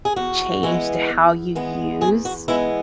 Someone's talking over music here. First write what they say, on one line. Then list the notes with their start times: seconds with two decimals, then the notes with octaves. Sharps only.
changed how you use,
0.05 G#4
0.16 E2 F#4
0.63 E3 G#3 B3
1.10 E2
1.55 E3 G#3 B3
2.01 E2 G#4
2.25 F#4
2.48 E3 G#3 B3 E4